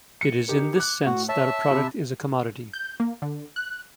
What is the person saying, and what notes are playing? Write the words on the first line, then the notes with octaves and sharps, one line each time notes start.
It is in this sense that a product is a commodity.
C#7
D#4 G4 A#4
D6 F#6
A2 F#4
C#5 E5 A5
C3 B5
G6
A#3
D3
F#6